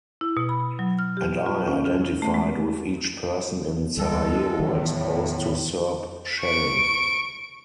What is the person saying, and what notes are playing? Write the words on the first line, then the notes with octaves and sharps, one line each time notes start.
And I identified with each person in Sarajevo exposed to Serb shelling.
E4
B2
B5
F#3
F6
G4
F4
C#4
F4
A3
G#3
D2 G3 G#3 A4
E2 A2 D#3 E3 F#3
C#6 D7